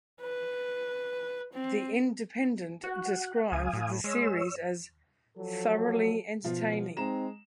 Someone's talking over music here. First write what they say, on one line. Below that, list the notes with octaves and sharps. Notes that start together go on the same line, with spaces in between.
The Independent described the series as "thoroughly entertaining".
B4
C4
F#4 F#5
C#2 F5 G#5 D#6
A2
G#3 C#5 E6
F3 F#3 A4
B2 F3 F4
G#3 C4 D#4 A#5 E7